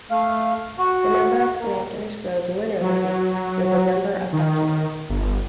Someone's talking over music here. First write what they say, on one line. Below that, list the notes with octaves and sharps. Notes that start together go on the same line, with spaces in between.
The number of parameters grows linearly with the number of documents.
A3 F5
F#4
A#3
F#3
D#3
G1